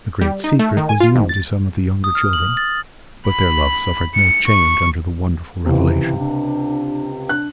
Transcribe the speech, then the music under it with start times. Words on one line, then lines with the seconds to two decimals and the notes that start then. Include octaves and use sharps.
The great secret was new to some of the younger children, but their love suffered no change under the wonderful revelation.
0.21 G3
0.44 D#4
0.59 A3
0.77 D#3
0.89 G#5
1.00 F4
1.16 G#1
1.29 A6
2.04 D#6
2.15 F6
2.33 F#7
2.57 A6
3.28 B5
4.15 C#7
4.47 C#6
5.66 C#2 C3 E3
6.18 D4
7.29 D4 F#6